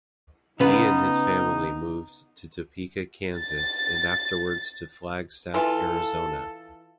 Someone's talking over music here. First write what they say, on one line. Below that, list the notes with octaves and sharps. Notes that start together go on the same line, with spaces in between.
He and his family moved to Topeka, Kansas, and afterwards to Flagstaff, Arizona.
C#3 B3 D#4 B4
A6
E3 F4 A4